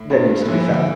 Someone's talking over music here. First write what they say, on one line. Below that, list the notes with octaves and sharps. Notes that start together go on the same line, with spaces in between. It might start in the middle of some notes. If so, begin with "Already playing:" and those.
that needs to be found.
Already playing: A2
G2 D4
A#3
D3
E3 F3
E3
D3
E3